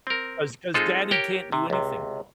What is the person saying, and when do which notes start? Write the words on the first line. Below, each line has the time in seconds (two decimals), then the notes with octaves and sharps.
'cause 'cause daddy can't do anything wrong.
0.07 C4 A#4
0.74 G#3 C4 D#4 F4 G#4 A4
1.11 G4 A#4 C#5 G5
1.52 C3
1.70 C#2 C3